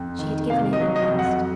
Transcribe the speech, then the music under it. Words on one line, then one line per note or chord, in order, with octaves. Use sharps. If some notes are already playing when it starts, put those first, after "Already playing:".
She had given in at last.
Already playing: F2
D#3
C3 F5
D#5
F#3
D#5
F2
F#5